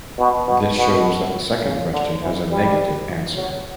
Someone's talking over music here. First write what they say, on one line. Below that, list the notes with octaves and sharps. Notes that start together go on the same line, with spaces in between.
This shows that the second question has a negative answer.
B2
B2
B2
C#3
D3
E3
G3
F#3